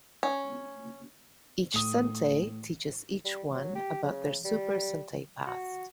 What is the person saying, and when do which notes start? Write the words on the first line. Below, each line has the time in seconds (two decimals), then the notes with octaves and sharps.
Each sentai teaches each one about their Super Sentai past.
0.23 C#4
1.74 A2 D#6
3.25 G3
3.54 F#3
3.75 G4
4.03 C#3
4.44 G3
5.47 F#4